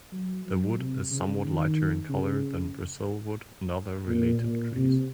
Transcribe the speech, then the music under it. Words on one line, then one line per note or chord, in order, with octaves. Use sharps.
The wood is somewhat lighter in color than Brazilwood and other related trees.
F#3
F#3
C3
C#3
D#3
C#3
A#2
A#2
C3